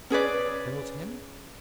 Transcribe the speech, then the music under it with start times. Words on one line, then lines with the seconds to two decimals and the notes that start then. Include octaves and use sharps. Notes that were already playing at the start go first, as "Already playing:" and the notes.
"Killed him?"
0.10 C#4 G#4 B4 D5